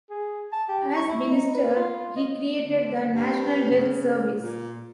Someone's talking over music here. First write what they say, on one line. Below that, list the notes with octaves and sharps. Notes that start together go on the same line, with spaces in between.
As Minister, he created the National Health Service.
G#4
A5
G4
C#6
E4
D#4
B4
F4
D#5
D3
G2
C#3
A#2